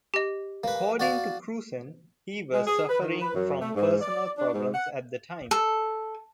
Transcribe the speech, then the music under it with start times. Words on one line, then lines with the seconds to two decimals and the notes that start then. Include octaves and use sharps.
According to Krusen, he was suffering from personal problems at the time.
0.14 G4 D#5
0.64 A#3 B4
1.00 F#4 D5 F5
2.54 G#3
2.67 G#4
2.89 B4
3.01 D#3
3.21 B4
3.34 F#2
3.61 A3
3.75 G#2
4.01 D5
4.38 D4
4.54 G#2
4.74 F#5
5.51 A4